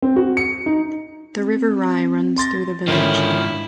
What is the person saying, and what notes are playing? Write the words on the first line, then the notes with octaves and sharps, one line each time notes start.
The River Rye runs through the village.
C4
F#4
C#7
D#4
C4
C6 A6 A#6
G#2 D3 D#3 C#4 E4 F4